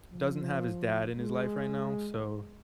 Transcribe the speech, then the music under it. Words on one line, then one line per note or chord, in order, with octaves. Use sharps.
doesn't have his dad in his life right now, so,
F3
G#3